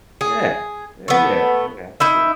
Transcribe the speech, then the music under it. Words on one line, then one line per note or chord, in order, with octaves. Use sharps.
Yeah. Yeah, yeah. Yeah. Absolute
G#4
A3 B3
D#4 E4 E5